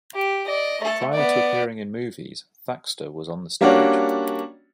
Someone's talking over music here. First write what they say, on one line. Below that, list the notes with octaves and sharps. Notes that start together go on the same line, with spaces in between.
Prior to appearing in movies, Thaxter was on the stage.
G4
D5 D#5
A3 A4
B3 D5
G3 A#3 C#4 D4 F#4 C#5